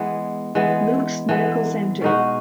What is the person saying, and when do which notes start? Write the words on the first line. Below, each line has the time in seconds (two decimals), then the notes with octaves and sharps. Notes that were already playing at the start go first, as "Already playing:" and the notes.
Luke's Medical Center.
Already playing: E3 G#3 B3
0.55 E3 G#3 B3
1.29 E3 G#3 B3
2.01 B2 G#3 D#4 F#4